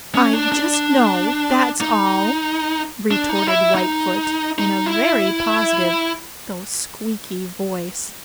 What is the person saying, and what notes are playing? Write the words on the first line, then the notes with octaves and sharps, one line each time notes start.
"I just know, that's all," retorted Whitefoot in a very positive though squeaky voice.
C#4
D4
D4
D#4
D4
D#4
E4
D#4
D#4
E4